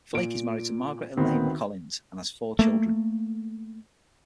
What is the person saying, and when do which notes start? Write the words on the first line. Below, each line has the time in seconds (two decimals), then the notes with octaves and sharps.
Flake is married to Margaret Elaine McCollins and has four children.
0.13 A#2 D7
1.17 D2 D#3 B3 C4
2.59 A3 A#3